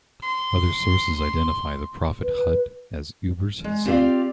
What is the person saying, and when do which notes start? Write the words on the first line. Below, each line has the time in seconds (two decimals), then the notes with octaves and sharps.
Other sources identify the prophet Hud as Eber's son.
0.22 C6
2.23 B4
3.64 G#3
3.85 C4 F4 G4 C5 D5 F5